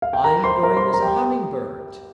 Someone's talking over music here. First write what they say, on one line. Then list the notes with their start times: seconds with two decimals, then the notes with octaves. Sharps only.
I am going as a humming bird.
0.02 F5
0.13 G5
0.24 A#4 A#5
0.44 C5 C6
0.63 A#4 A#5
0.76 C5 C6
0.94 A#5
1.02 G4 G5